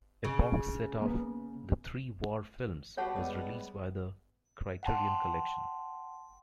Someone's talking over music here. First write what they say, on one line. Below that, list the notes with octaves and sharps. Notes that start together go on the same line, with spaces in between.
A box set of the Three War Films was released by The Criterion Collection.
C#3
A#3 B3
B3 F#4 G4 C#5 F#5 A5
G3 G#3 B3
F#5 G5 A5 C6